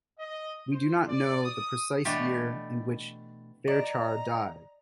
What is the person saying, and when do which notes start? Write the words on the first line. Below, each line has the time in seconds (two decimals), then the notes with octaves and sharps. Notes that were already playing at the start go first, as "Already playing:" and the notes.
We do not know the precise year in which Fearchar died.
0.18 D#5
0.71 C5
1.08 D5
1.43 D#6
2.05 B2 E3 A3 D4 G4
3.68 D5 D#5 A#5